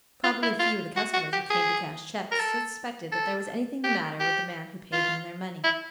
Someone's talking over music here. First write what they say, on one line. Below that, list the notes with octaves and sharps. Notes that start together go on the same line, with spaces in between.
Probably few of the customers who came to cash cheques suspected that there was anything the matter with the man who paid them their money.
F4
E4
F4
F#4
F#4
G4
G#4
A#4
A4
A4
G4
G4
F4
E4